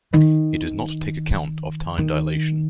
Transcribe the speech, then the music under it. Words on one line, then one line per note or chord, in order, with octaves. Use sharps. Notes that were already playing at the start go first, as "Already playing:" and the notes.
It does not take account of time dilation.
D#3
D#3